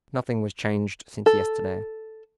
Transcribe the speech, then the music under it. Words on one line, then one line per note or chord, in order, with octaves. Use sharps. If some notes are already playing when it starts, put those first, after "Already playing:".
Nothing was changed since yesterday.
A4